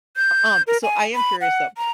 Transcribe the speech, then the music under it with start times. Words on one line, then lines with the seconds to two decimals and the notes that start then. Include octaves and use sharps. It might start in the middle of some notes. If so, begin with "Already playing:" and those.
Um, so I am curious though,
0.16 G6
0.67 A#4
0.83 G#5
1.15 B5
1.41 F#5
1.77 A#5